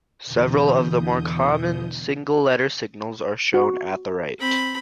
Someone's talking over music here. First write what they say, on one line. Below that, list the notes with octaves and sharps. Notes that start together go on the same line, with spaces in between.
Several of the more common single-letter signals are shown at the right.
E2 B2 D3 E3 D#6 G6
F#4
C4 B5